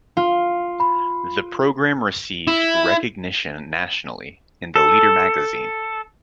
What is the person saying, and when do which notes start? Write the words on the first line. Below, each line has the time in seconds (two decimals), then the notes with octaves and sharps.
The program received recognition Nationally, in the Leader Magazine.
0.17 F4
0.80 B5
2.47 E4
4.76 A4